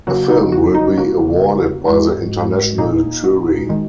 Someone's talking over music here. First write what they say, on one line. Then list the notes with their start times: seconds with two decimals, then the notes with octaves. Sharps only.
A film will be awarded by the international jury.
0.07 C#3 F#3 A#3 F#4
0.29 D#4
0.52 F#4
0.74 D#4
0.98 C#3 A#3 F#4
1.88 G#2 G#3
2.78 A#2 A#3 D#4 G#4
3.24 F#4
3.69 D#3 G#3